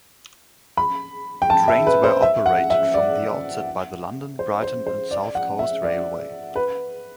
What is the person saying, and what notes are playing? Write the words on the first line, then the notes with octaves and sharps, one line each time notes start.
Trains were operated from the outset by the London, Brighton and South Coast Railway.
B5
G5
A5
E5
B4
C5
E5
F#5
E5
D5
C5
C5
C5
D5
F#5
E5
D5
B4